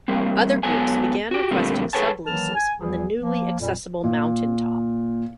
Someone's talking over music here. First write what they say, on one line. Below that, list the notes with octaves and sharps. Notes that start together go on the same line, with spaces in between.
Other groups began requesting subleases on the newly accessible mountaintop.
G3 A#3 C4
G#2 F#3 B3 A4 G#5
F#4 G4
A#2 D3 G3 A3 A#3 C4
G#4 A4 B4 C#5 G#5 A5
D#3 E3 F#3 A#3 A5 F6
G#5
E2 E3 G3 G#4
F3 A#3
F2 A#2 G3
A#2